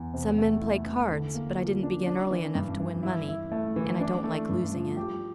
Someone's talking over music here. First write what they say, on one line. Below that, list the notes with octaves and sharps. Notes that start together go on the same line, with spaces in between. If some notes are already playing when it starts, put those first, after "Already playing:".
Some men play cards; but I didn't begin early enough to win money, and I don't like losing it.
Already playing: E2
C3
A3
E4
E3
D3
A#3
F3
D4
D4
E3
G2
E3
E4
E4
A3
E3
D4
A3
G2
F3
G4